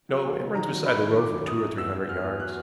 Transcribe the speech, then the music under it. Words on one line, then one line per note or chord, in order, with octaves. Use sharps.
"No, it runs beside the road for two or three hundred yards."
F#3
B2
B2
D#3 A#5
F#3
D#3 B5
F#2
D#3 D6
F#2
F#2 D#6
F#2
E2 E6
E2
E2 F6
E2
F#3 F#6